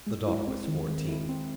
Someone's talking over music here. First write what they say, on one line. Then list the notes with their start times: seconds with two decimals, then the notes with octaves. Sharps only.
The daughter was fourteen.
0.07 G#3
0.27 E4
0.47 C4
0.67 D#3
0.88 G#3
1.08 E4
1.29 C4